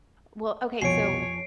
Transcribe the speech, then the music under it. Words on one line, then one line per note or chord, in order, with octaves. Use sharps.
Well, okay, so
C2 F2 B2 F3 C#5 G#5 C7 D7